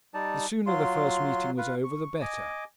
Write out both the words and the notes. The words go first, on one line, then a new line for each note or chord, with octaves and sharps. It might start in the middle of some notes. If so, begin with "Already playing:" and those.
The sooner the first meeting was over the better.
G3 D#4 D5 A5
F#3 F4 C6
F4 B4 F5
C#6
D#5 G#5 D6